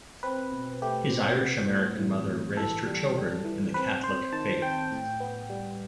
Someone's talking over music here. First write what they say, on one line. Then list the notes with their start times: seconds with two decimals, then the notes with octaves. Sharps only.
His Irish-American mother raised her children in the Catholic faith.
0.23 C4 B4
0.52 B2
0.82 A3 G4
1.11 C4
1.40 B3
1.70 A2
1.99 E3
2.28 A2
2.57 E3 A4
2.86 G3
3.16 G3
3.45 E3
3.74 C4 B4
4.04 C4 C5
4.33 D#3 A5
4.62 C4 G5
4.91 A2
5.20 B3
5.50 G3